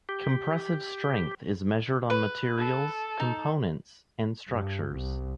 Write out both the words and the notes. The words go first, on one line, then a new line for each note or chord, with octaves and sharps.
Compressive strength is measured on materials, components, and structures.
G4
B4
A4
D#4
G2
C2